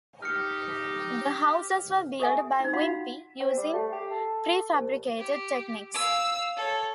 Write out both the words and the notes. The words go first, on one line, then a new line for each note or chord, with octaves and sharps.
The houses were built by Wimpey, using prefabricated techniques.
D#4 G4 F6 C#7
G4 A4 E5 G#5
D#4 E4
D#4 F4 F#4 F5 F#5 C6
C4
G3
A3
G4
A4
C2
G4
F5 E6
A4 C#5